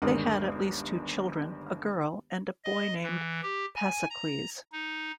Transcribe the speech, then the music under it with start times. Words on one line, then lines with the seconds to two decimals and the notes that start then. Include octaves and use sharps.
They had at least two children, a girl, and a boy named Pasicles.
0.02 G1 D#2 G#3 D4 A#4 D#6
2.64 D#5
3.03 E3
3.43 G4
3.76 G#5
4.10 A#5
4.72 D#4